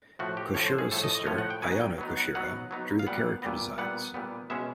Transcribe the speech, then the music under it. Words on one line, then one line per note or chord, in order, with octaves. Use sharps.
Koshiro's sister, Ayano Koshiro, drew the character designs.
A2 F3 A3 F#4
G4
A2 F3 A3 C#5
C5
G#4
A2 F3 A3 A4
D#5
D#5
A2 F3 A3 C#5
F#5
G5
F#3 B3 D#4 G#5
G5
F#3 B3 D#4
F#5
F#3 B3 D#4 F#5
F#3 B3 D#4
F5
A#2 G3 B3 F#5
A#2 G3 B3
A#2 G3 B3 F#5
A#2 G3 B3
B2 G#3 C#4 E5